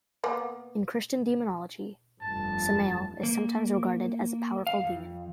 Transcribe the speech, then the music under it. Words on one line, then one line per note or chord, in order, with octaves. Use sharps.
In Christian demonology Samael is sometimes regarded as a powerful demon.
A#3 B3
F1 G2 A5
A#3
F5
F2